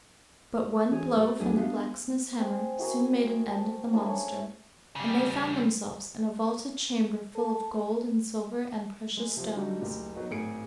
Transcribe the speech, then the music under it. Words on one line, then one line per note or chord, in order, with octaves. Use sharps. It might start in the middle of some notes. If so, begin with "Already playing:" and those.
But one blow from the blacksmith's hammer soon made an end of the monster, and they found themselves in a vaulted chamber full of gold and silver and precious stones.
E3 G#4 C#5
A3 G4
D#2 F#3 A3 D4 G#4
B3 D4 D#4 G4 E5 F5
C4 G#4
E4 F#4 G#4 A#4
D#6
F#5 A5
A#3 D4 E4 G#4
A3 C#4
C#3 G3
A4
G#3
C3 F3 G3
D3 G3 D#4 F#4
F#1 D2 G4
F#3 B3 D#4 F#4
G#1 A2 G#4 C#7 D7